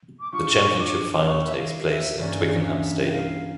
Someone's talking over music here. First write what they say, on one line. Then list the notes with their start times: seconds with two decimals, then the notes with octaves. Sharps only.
The Championship final takes place at Twickenham Stadium.
0.20 D6
0.32 G3 D4 F4 C#6
0.79 D6
1.26 C#6
1.45 E5
1.56 F5
1.88 E5
2.19 G2 E3 A#3 C#4 D5
2.66 E5
3.07 G5
3.12 F5